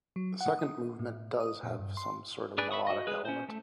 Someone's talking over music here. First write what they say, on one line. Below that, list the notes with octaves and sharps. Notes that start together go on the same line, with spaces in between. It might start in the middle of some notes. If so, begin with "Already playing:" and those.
The second movement does have some sort of melodic element.
F#3
F#5
D#6
A2
D#6
A#2
G2
C6
D4 G#4 B4 D5 G#5
E5 B5 C#6 D#6
F#4 D#5
G#3 G#4 B4
C#4 C5
A3